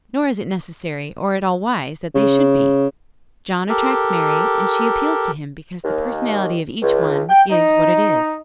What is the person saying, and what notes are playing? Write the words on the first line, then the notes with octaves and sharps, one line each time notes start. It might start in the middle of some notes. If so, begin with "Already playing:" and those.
Nor is it necessary, or at all wise, that they should be. John attracts Mary, and she appeals to him, because the personality of each one is what it is.
C#3
G4 A4 A#4
D#2
C#2
G5
D#4